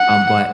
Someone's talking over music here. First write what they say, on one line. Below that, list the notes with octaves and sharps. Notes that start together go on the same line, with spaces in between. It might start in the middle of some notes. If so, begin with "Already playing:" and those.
um, but
Already playing: F#5